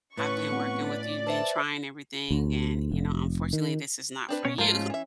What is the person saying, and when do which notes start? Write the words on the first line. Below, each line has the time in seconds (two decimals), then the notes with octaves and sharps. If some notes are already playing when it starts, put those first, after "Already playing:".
I've been working with you, been trying everything, and you know, unfortunately, this is not for you,"
0.17 A2 C#4 B4 C#6
0.52 B3 C4 F#5
0.86 D5 B6
1.27 B4 C5 E5 A5
2.31 D2
2.92 F1
3.53 D#3
4.29 C4 D4 B4
4.45 B2 C#4 C#5
4.58 G#2 F3 F4 A#4
4.74 C#4
4.90 E3 E5